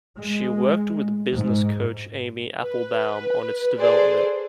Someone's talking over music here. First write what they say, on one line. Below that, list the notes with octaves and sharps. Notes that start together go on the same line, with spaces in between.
She worked with business coach Amy Applebaum on its development.
G#3
G#2
B4
G#4 A4 B4 C5 D5